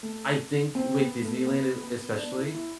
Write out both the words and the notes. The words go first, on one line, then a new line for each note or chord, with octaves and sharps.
I think with Disneyland, it especially,
A3
C4
B3
A3
B3
B3
D4
E4
E4